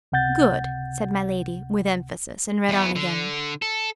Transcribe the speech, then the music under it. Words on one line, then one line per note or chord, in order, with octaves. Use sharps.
"Good," said my Lady, with emphasis, and read on again.
C#2 C3 F#5 G6 A6
E2 B3
D3
A4